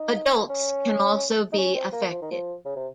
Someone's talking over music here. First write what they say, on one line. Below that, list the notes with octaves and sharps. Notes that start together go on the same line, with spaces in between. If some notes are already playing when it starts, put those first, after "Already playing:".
Adults can also be affected.
Already playing: D#4
C#4
D#4
C#4
C4
A#3
F3
D#3
F3
C#3
C3